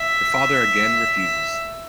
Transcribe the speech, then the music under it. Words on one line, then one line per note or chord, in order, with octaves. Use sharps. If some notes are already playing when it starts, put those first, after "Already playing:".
Her father again refuses.
Already playing: E5